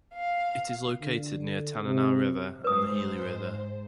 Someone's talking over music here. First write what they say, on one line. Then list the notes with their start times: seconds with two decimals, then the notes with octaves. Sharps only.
It is located near Tanana River, and the Healy River.
0.13 F5
1.01 D3
1.84 C3
2.64 G#2 B4 C5 D#6